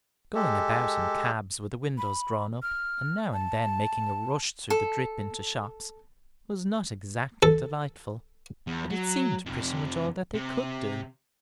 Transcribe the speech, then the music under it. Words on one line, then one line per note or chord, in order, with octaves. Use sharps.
Going about in cabs with the windows drawn up, and now and then making a rush through the drip into shops, was not exactly delightful, but it seemed pretty much all that they could do.
G#3 G4 A4
B5
F6
A5
A4
A4
E2
F#3
F2 C3
C3